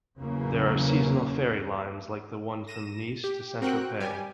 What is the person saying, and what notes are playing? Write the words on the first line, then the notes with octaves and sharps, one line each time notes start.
There are seasonal ferry lines like the one from Nice to Saint-Tropez.
E2 C#3 E3 F#3 A#3 C#4
A#6 D#7 E7
G4
C4 F#4 A#4 G5 F#6
G3 G4 G#5